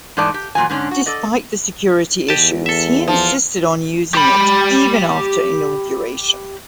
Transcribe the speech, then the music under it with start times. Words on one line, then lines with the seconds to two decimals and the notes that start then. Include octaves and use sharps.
Despite the security issues, he insisted on using it even after inauguration.
0.17 G#2 E3 A3 D#4 D5 A5
0.34 G4
0.55 E2 A#2 F#3 G#5
0.70 G#2 D3 C#4 D4
0.91 F#4
1.06 A4 D5 D#5
2.29 E2 G4 D#5 A5
2.66 A4 E5
3.08 F3
4.15 G4 B5